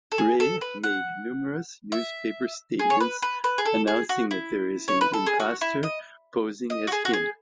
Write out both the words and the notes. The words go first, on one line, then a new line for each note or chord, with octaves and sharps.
Rey made numerous newspaper statements announcing that there is an imposter posing as him.
A4
G#4
A4
B4
F#5
E5
G#4
C#5
B4
B4
B4
G#4
A4
G#4
F#4
E4
C#5
B4
A4
G#4
F#4
E4
D#5
D#5
F#4
G#4
F#4
G#4